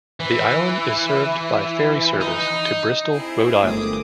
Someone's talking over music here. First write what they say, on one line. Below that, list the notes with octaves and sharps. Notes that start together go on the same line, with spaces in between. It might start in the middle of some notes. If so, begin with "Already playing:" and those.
The island is served by ferry service to Bristol, Rhode Island.
E3
D#4
C4 E4 G#4
G1 A3 A#3 D6 D#6